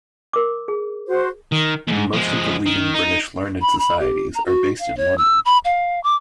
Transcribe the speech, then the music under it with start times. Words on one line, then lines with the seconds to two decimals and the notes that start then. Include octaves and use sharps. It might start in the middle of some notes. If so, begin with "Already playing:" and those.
Most of the leading British learned societies are based in London.
0.33 A#4 D6
0.68 G#4
1.07 F#4 C5
1.52 D#3
1.87 D#2 G#2
2.13 F3 G#3
2.66 D#3
2.95 D#4
3.61 B5
3.79 B5
4.00 G4
4.35 A#5
4.46 F#4
4.80 F5
4.97 C#5
5.18 E6
5.45 B5
5.65 F5
6.04 D6